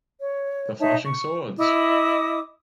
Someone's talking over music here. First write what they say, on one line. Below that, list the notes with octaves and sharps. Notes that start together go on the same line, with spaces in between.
The Flashing Swords!
C#5
D#4 C#5 E5 A5
C#6
E4 D#5 D6 D#6